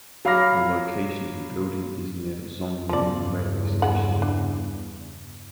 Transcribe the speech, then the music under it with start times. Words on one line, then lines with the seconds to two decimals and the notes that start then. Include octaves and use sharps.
The location of the building is near Zhongli railway station.
0.25 F#3 F5 B5 D6 F6 A#6
2.89 E2 G2 C#3 F3 D5
3.82 G#3 F#5
4.22 D4